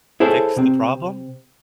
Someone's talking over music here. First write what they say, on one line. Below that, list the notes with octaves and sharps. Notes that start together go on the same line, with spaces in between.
Fix the problem?
E4 G#4 A4 C5 C#5
C3 C4